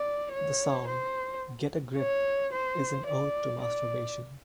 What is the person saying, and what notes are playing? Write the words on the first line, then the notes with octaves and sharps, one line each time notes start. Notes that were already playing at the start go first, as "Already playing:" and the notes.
The song "Get a Grip" is an ode to masturbation.
Already playing: D5
C#5
C5
C#5
C5
D5
D5